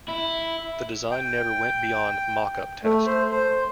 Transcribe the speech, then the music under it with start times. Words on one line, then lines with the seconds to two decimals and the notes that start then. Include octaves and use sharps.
The design never went beyond mock up test.
0.09 E4
1.11 G5
2.84 A3
3.06 C5
3.31 C5